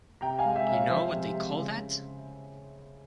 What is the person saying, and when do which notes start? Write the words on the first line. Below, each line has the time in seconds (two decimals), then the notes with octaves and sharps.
You know what they call that?
0.21 C3 G5 A#5
0.39 F5 G#5
0.45 G#3
0.56 E5 G5
0.67 C3 E5
0.72 C#5 F5
0.90 F3 C5 E5
1.12 C3
1.34 G#3
1.57 C#3